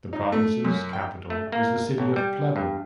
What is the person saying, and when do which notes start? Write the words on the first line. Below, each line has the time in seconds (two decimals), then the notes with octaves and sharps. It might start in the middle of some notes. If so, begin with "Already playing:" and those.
The province's capital is the city of Pleven.
0.13 D#4
0.32 A3
0.65 F#2
0.93 G5
1.30 A3
1.52 A#3
1.98 A1
2.16 G3
2.56 G2